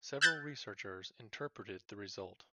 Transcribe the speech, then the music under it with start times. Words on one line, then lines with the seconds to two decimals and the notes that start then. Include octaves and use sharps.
Several researchers interpreted the result.
0.21 E6 F#6 G6 A6